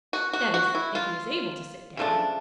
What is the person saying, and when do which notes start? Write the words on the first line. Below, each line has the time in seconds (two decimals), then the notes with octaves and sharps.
That is, if he is able to sit down.
0.13 F#4
0.33 F#4
0.54 F#4
0.75 E4
0.95 F4
1.97 C#3 F3 A3 D4